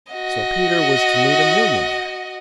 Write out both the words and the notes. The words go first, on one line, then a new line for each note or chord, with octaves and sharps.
So Peter was to meet a millionaire!
F#4 D#5